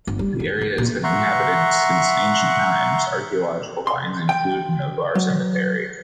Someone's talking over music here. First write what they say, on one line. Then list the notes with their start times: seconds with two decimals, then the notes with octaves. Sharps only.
The area has been inhabited since ancient times; archaeological finds include an Avar cemetery.
0.07 G1
0.19 G3
0.40 D#3
0.61 D#3
0.78 A#2
1.04 E5 F#5 A#5 C6 C#6
3.87 C6
4.29 G5
5.15 F#3